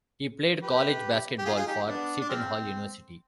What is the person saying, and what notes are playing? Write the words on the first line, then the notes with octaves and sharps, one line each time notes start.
He played college basketball for Seton Hall University.
G4 B4
G4
F4 G#4
F4 G#4
D#4 G4
B3 D4
D4
F3 G#3 C4